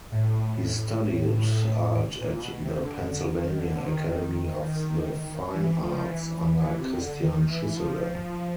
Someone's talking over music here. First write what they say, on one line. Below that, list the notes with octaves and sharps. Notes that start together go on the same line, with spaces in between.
He studied art at the Pennsylvania Academy of the Fine Arts under Christian Schuessele.
A2
A#2
B2
C3
D3
D3
D#3
D3
D3
D#3
E3
F3
E3
E3
E3
C3
D3
D#3
E3
F3